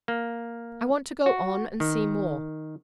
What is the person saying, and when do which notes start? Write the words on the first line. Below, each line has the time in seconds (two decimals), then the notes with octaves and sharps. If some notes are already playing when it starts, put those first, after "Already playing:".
I want to go on and see more.
0.08 A#3
1.26 F#4
1.80 D#3